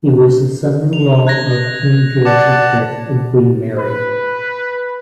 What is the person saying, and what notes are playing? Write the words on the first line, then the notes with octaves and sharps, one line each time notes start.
He was the son-in-law of King George the Fifth and Queen Mary.
F7
F#6 G#6 A#6
D5 F#5 A5 D6
B4